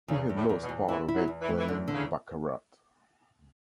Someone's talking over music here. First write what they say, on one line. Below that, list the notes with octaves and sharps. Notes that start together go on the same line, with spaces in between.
He had lost part of it playing baccarat.
E2 C#3
E2
A2
E2
B2
E2
E3 E4
E4
F#3
E2
E3
A3
E3
E2 D3
D3
C#3